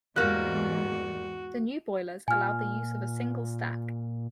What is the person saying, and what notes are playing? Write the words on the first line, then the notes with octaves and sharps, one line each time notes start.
The new boilers allowed the use of a single stack.
E2 G#2 G3 A#3 F#4 F#6
A#2 G#5 F6